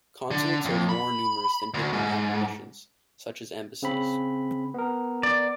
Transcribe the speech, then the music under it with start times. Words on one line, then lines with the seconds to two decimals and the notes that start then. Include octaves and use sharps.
Consulates are more numerous than diplomatic missions, such as embassies.
0.31 D3
0.65 F2
0.89 B5
1.74 D2
1.93 G#2
3.82 C#3 C4 B5
4.74 B3 A#4
5.23 D5